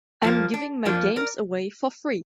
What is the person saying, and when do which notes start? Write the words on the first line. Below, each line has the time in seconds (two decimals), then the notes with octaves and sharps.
I'm giving my games away for free.
0.23 F2 F3 A#3
0.54 D4
0.85 F2 F3 A#3 D4
1.16 A#4 D5